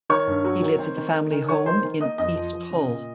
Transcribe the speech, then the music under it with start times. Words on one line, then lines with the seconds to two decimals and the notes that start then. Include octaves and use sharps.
He lives at the family home in East Hull.
0.10 D#3 C#5 C#6
0.27 G2
0.44 F#3
0.62 D#3
0.79 C4
0.97 D#3
1.14 D#3
1.31 D#3
1.48 D#3 C#5 C#6
1.66 D#3 C5 C6
1.84 D#3
2.00 A#3 D#5 D#6
2.18 F2 D#5 D#6
2.36 F3
2.53 F3
2.71 C#3
2.88 A#2